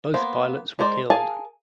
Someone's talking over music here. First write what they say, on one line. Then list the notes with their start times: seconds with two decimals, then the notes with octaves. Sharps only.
Both pilots were killed.
0.14 A#3 B3 C5
0.79 G#3 A#4 C5 D5
1.10 G#4 A#4 F5 G#5 A5